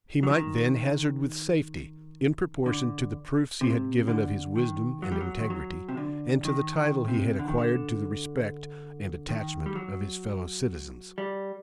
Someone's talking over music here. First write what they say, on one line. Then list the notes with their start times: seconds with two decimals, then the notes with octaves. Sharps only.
He might, then, hazard with safety, in proportion to the proofs he had given of his wisdom and integrity, and to the title he had acquired to the respect and attachment of his fellow-citizens.
0.23 F#3
0.30 D#3
2.66 D3
3.61 C3
4.08 D3
4.56 D#3
5.02 F#3
5.12 G3
5.21 F#3
5.39 D#3
5.50 F#3
5.89 C3
5.97 D3
6.45 D#3
6.77 D#3
7.08 C3
7.39 D3
7.48 D#3
7.58 D3
9.29 D#3
9.66 G3
9.75 F#3
11.18 G3